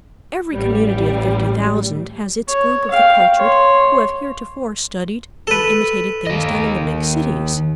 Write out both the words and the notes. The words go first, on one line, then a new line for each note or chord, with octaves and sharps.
Every community of fifty thousand has its group of the cultured who have heretofore studied and imitated things done in the big cities.
A1 G3
C#5
F5 G5
C#5 C6
A4 B4
D#2 D#5